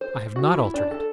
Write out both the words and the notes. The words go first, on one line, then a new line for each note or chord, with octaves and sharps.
"I have not altered it."
C5
F#4
E4
D4
A4